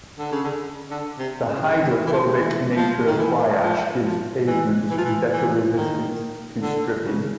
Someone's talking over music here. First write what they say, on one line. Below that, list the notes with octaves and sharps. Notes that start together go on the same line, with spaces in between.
The hydrophobic nature of fly ash gives pavements better resistance to stripping.
D3
C#3
D3
D3
C3
C#3
C3
C#3
E3
E3
F3
E3
F3
D#3
E3
F3
F3
E3
E3
F3
E3
E3
D#3
D3
C#3